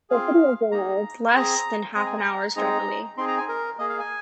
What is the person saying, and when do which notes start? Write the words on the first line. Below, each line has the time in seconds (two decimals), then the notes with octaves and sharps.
The City of Bangor is less than half an hour's drive away.
0.10 C4 F4 G#4 F5
0.72 A#3 D#4 G#4 A#5
1.26 C6
1.33 C4 G#4 A#5
1.95 G#3 C4 G#4 A#5
2.06 G#5
2.18 A#5
2.56 G#3 C4 D#4 G#4 A#5
3.17 C4 D#4 G#4 C6
3.28 A#5
3.38 G#5
3.48 A#4
3.79 A#3 G#4 D#5
3.89 F5
4.00 G#5